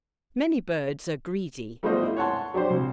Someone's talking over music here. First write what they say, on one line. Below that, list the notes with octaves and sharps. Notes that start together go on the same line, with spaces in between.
Many birds are greedy.
G3 A3 B3 F4 C5 D#5
E4
C#5 F#5 A5 C6
F#3 D4 G4 C5
C2